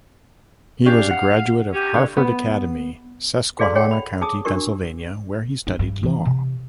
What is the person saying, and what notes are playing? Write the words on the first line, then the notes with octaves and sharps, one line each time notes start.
He was a graduate of Harford Academy, Susquehanna County, Pennsylvania, where he studied law.
C#4 D4 G4 F5
F#5
C#4 G4
D3 C#5 F5
B3
F#4 G#4 A4 D5 F5 C6
G#4 C#5 F#5 G5
B5
G#4 A5 D6 D#6
D4 F#4 G4 A#4 C#6
D4
G2
E3
C3